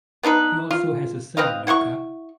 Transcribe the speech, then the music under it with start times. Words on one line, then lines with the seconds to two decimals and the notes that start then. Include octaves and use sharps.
He also has a son, Luka.
0.23 B3 D4 D#4 B4
0.71 F4
1.37 C4 B4 D#5 F5
1.67 E4 F#5 C6 C#6